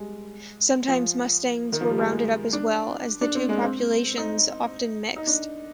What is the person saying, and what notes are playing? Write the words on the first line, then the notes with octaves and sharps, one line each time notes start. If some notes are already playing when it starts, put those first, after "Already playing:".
Sometimes Mustangs were rounded up as well, as the two populations often mixed.
Already playing: G3 G#3
F3
D#3
F3
G3
G#3
D4
D4
C4
G#3
A#3
C4
D#4
D#4
D4